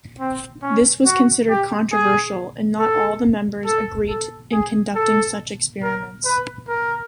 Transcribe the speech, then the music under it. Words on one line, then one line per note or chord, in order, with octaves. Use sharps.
This was considered controversial and not all members agreed in conducting such experiments.
C4
C#4
F#4
G4
G#4
A4
A4
A4
G#4
A4
A#4
B4
A#4